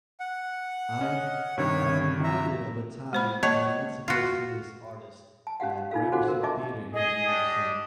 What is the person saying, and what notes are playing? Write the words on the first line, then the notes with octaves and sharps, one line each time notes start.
I w I'm reminded of a time when I went to go see this artist at Gramercy Theater here in New York City
F#5
C#4 D#5
G2 C3 D#3 C#5
E5 A#5
G#3 C5 B5
A#3 C#5 D#5 A5
F4 F#4
A5
C#4 G4 F5 F#5
D#4 F4 A4 F5
F#4 A4 C5 F#5 D6
A#4
D4 D#5 E5 A5 C#6 D6
G#4 D#5
D4 G4 D#6